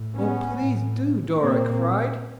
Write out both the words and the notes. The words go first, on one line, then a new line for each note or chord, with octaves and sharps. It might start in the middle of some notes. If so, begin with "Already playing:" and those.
"Oh, please do," Dora cried.
Already playing: A2
B3 C#4
A2
A#2 A#3 C4